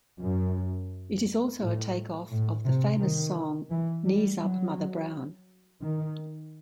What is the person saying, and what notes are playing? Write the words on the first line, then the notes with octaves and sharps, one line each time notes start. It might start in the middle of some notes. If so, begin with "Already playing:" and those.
It is also a take off of the famous song "Knees Up Mother Brown".
F#2
A2
A2
C3
D#3
E3
G3
F#3
D#3